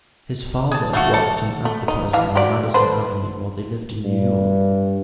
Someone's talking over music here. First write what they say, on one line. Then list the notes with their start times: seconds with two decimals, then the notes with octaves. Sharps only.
His father worked in advertising on Madison Avenue while they lived in New York.
0.71 G#4 A5
0.93 A3 F4 F#4
1.14 A4
1.65 A3
1.88 D#4
2.13 E3 F5 A5
2.35 F#4 G4 D5
2.74 A4 B4 C5
4.05 G2